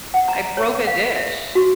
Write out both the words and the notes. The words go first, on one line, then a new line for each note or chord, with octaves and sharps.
I broke a dish.
F#5
A#5
C#5
F5
E5
F#4